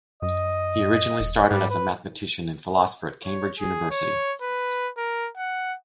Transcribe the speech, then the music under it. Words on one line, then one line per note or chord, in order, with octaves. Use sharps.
He originally started as a mathematician and philosopher at Cambridge University.
F#2 D#5
E1
G#2 G3
B4
C#5
G#4
C#5
B4
A#4
F#5